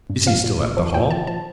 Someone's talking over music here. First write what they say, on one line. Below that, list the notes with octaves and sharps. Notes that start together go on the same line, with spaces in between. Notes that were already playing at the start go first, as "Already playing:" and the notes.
"Is he still at the Hall?"
G2
F3 F5
A#2
A#2
F3
A#2 G5
F3 A5
F3 A5